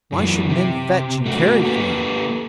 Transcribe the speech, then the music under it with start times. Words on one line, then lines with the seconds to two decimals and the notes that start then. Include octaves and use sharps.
Why should men fetch and carry for him?
0.12 F#2 E3
0.49 C3
1.26 A3 A#3 F#4
1.63 A#3 G4 A4 B4